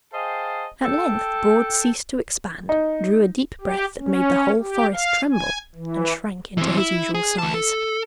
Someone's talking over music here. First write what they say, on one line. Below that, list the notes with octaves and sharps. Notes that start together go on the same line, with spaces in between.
At length Broad ceased to expand, drew a deep breath that made the whole forest tremble, and shrank into his usual size.
G#4 C5 D#5 F5 G5 A5
A4 G5
D#4
G4
C#4
G4
F5
G#5
E3
E3 C4
E4
G#4
D2 A5
A4